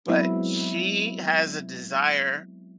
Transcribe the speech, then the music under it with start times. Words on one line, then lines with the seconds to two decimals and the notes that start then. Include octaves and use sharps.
But she has a desire
0.08 F#3 G#3 B3 C4 E4